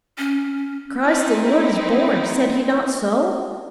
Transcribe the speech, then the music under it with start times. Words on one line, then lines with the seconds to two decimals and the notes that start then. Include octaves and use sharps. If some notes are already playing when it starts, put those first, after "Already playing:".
"Christ the Lord is born; said he not so?"
0.18 C#4
1.04 C4 D#4 E4